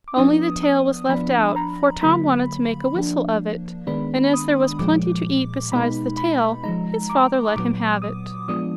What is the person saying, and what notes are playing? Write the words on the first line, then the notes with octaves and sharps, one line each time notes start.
Only the tail was left out, for Tom wanted to make a whistle of it, and as there was plenty to eat besides the tail his father let him have it.
D6
F3 B3 D4 D#6
D#6
F3 B3 D4 B5
A#5
D3 F#3 A#3 B5
F3 A#3 D4
D#3 G#3 B3 D4 B5
D#6
A#2 F3 G#3 D6
B2 G#3 B3 D#4 B5
B5
F3 G#3 D#4 A#5
D6
A#2 F#3 B3 D6
D#6
F3 G#3 B3 D4 D#6